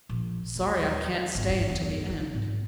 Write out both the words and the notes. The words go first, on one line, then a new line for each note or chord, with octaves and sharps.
Sorry I can't stay until the end.
A#1
D#2
G#1
G2
E2
G#3
D#4
G#2